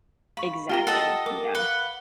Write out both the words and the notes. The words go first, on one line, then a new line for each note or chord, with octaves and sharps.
Exactly, yeah.
F5 B5 C#6
F4 G4 A#4 G5 A#5 G7
A4 D#5 F#5 A5
A#4 D6
B4 F5 F#5 G7